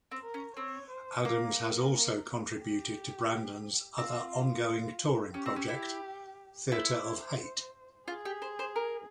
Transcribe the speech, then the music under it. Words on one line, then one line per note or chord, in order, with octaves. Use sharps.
Adams has also contributed to Brandon's other ongoing touring project, Theatre of Hate.
C4
A#4
C#4
C4 C#5
C5
A#3 A#4
G4
C4 F4
C#4 G4
C4
C#4
E4
E4 C5
F4 G#4
G4
C5
C5
A#4